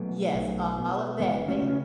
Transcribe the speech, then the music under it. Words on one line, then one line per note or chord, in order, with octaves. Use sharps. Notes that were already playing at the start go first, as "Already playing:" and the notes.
yes, all of that, they
Already playing: B2 F#3 A3
B1
B2
F#1 G#3 B3
A3 C#4
C#3
C#4